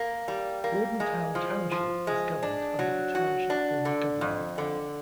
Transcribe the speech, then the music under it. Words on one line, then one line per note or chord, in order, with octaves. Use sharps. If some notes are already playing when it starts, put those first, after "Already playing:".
Bordentown Township is governed under the Township form of government.
Already playing: A#3
G3
A#3
G#3
F3
F3
G#3
D4
F#3
F#4
D4
D3
F2
D3